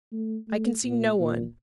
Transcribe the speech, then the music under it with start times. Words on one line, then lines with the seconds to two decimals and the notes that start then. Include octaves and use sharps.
I can see no one.
0.12 A3
0.48 A3
0.84 A#2
1.20 A#2